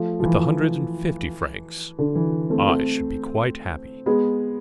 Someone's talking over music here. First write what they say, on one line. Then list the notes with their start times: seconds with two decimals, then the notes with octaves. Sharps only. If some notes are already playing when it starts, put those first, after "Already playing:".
"With a hundred and fifty francs I should be quite happy."
Already playing: F3 A3
0.20 F3
0.24 E3
1.98 D3
2.15 E3
2.50 A3 C4
2.68 A3 C4
4.06 G#3 B3